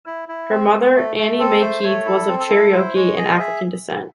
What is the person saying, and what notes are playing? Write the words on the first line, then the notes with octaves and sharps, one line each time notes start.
Her mother Annie Mae Keith was of Cherokee and African descent.
E4
E4
C4
C4
A3
A3
C4 A4
A3 C5
A3 C#5
E4 A4
C4
A4
E4
E4 C5
G#3 C#5
G#4 D#5
G#4 E5